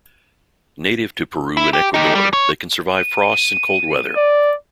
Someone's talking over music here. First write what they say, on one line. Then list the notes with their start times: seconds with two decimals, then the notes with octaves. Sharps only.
Native to Peru and Ecuador, they can survive frosts and cold weather.
1.57 E4
1.73 G4
1.94 D#4 G4
2.15 G3
2.33 C#5
2.96 D#7
4.16 D5